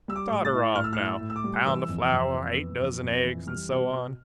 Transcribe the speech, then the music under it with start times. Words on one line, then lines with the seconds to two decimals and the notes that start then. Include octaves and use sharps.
Start her off, now--pound of flour, eight dozen eggs, and so on.
0.08 G3 E6
0.16 D6
0.30 A2
0.45 A6
0.53 E4
0.75 A2 F6
0.84 E6
0.93 F6
0.98 E4
1.05 E6
1.20 A2
1.30 E6
1.36 D6
1.44 G3
1.67 E3 E6
1.89 F2
2.12 F2
2.34 E3
2.56 B3
2.79 F2
3.02 F2
3.24 E3
3.47 G3 F6
3.70 B2
3.92 B2